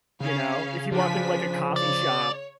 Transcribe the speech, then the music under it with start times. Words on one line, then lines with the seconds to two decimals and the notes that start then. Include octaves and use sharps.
You know? If you walk into, a coffee shop
0.20 C#3 C#4 F5
0.92 F3 D4 G#5 B6
1.76 C#5 D5